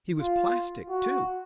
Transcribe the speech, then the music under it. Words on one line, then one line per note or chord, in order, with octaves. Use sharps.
He was plastic, too.
F4
F#4